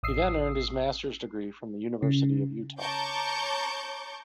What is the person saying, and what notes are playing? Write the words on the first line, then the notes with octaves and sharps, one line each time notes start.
He then earned his master's degree from the University of Utah.
A1 D#6 E6 C7
C#3
C#5 A5 A#5 C#6 D6 G6